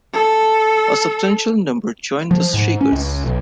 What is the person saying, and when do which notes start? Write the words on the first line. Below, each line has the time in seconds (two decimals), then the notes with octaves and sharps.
A substantial number joined the Shakers.
0.13 A4
2.31 F3
2.54 G#2
2.81 C#4
2.92 C#2
3.25 B1